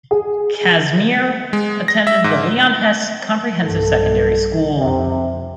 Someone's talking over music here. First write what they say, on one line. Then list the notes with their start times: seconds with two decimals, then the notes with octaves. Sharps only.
Casimir attended the Leon Hess Comprehensive Secondary School.
0.11 G#4
1.53 G#3
1.88 A#6
2.07 E5
2.24 G#2
3.64 B1 G2 A4
4.78 F2 C3